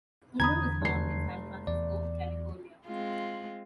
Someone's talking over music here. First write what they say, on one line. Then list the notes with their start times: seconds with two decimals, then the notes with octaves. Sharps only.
Fuller was born in San Francisco, California.
0.40 E2 D3 A#5 B5 D#6 G#6
0.82 F1 C7
1.67 E2 D5
2.86 G#3 C4 F4